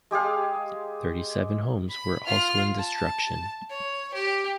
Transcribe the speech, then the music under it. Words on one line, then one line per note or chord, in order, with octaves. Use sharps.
Thirty-seven homes were also in destruction.
G#3 G4 G#4 F5
B5
F4 F6
A5
C#5
G4